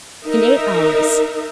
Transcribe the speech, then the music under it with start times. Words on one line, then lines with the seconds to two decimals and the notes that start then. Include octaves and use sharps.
"In eight hours."
0.25 D#4 A#4 E5